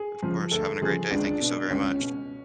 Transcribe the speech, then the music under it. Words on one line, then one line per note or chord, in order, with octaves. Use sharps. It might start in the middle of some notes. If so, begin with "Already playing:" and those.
Of course having a great day thank you so very much.
Already playing: G#4
C#3 F3
D2 A4
C#3 F3 G#4
C#2 D4
B2
C#2 C#4
B2